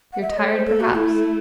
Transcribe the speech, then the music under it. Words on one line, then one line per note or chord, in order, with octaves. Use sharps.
You're tired perhaps?
F#5
E5
D#5
A3 C#5
C5
A4
F#4
E4